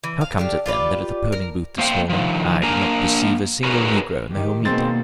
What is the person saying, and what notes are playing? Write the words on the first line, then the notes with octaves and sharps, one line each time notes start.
"How comes it, then, that at the polling-booth this morning I did not perceive a single negro in the whole meeting?"
E3
F5
D3 G4 F5
F4 G4 B4 D5
A#4
A#3 C5 F5 G5
D#3 F3
A#3 D4 A#4 G#5 A#5
D#4 F#4 G#4 A#4 B4 C#5
D#3 G4
B2 D#3 G#3 A#3 C4 A6